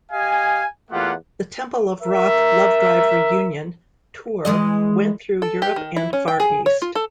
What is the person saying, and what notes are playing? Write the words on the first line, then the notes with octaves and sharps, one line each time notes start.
The "Temple of Rock - Lovedrive Reunion" tour went through Europe and Far East.
G4 D#5 F5 G#5
E2 A3 A#3 F4 G4 F#5
A#4 E5
E3 G#3 D#5
A4
G4
D#3
E4
C#4
G5
G#4
C#5
F4
A4